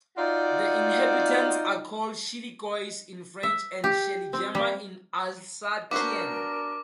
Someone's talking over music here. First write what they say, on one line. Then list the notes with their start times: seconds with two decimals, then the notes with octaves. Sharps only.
The inhabitants are called "Schilikois" in French and "Scheligemer" in Alsatian.
0.17 D#4 F4 F#4 D5
3.43 E5
3.84 G4
4.33 C4
4.55 G3
5.91 B3 D4 F#4 A#4 C5 D6